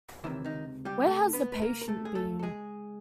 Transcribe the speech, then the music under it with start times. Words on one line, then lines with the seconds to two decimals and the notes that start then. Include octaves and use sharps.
Where has the patient been?
0.24 C#2 C3 D#3 E3 E4
0.45 D#3 D#4
0.85 G3 G4
1.06 A3 A4
1.33 B3 B4
1.52 B4
1.62 A#3 A#4
1.81 A#4
1.88 A3 A4
2.05 G#4
2.15 A3 A4
2.39 A4
2.43 G#3 G#4